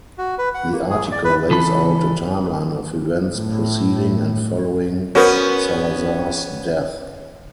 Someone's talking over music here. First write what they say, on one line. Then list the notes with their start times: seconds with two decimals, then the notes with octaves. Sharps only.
The article lays out a timeline of events preceding and following Salazar's death.
0.18 F#4
0.38 B4
0.54 F#5
0.72 A#3
0.90 G#4
1.12 D5
1.24 B4
1.50 C#2 E3 A4 B5
3.32 A2
5.15 B3 C#4 F#4 A#4 C5